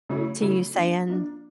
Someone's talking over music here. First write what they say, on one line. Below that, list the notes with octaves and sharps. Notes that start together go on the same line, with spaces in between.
to you saying,
C#3 F#3 A3 C#4 E4
C#3 F#3 A3 C#4 E4
F3 A#3 D4
F3 A#3 D4